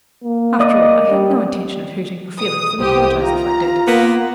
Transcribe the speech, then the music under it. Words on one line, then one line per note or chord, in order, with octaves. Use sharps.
After all, I had no intention of hurting your feelings, and apologise if I did.
A#3
D5 D#5 D#6
G3
B2 D#6
C2 G4 C5 D#6
F4 A#5
A#3 B3